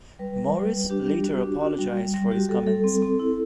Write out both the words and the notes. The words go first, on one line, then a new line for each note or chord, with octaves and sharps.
Morris later apologized for his comments.
G3 B4
G3
G3
G3
D4 G4
G3
F#4
D4
F#4
G3
G3
G3
F#4 G4
G3 A4
G3 A4
C4
C4
E4